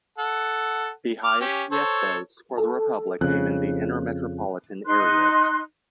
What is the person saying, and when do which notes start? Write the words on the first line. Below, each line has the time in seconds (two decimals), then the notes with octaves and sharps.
The highest "Yes" votes for the republic came from the inner metropolitan areas.
0.18 A4 F#5
1.24 D6 F6
1.41 C#4 G4
1.72 A4 C5 C#5
2.58 A4
3.21 F2 C#3 F#6
4.85 D#4 C6 F#6